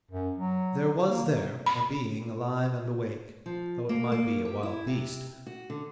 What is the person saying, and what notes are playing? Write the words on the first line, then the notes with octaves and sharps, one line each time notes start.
There was there a being alive and awake, though it might be a wild beast.
F#2
F#3
A#3
B5
F3
A#3
A#3
G4
E4
C3
F#4
D3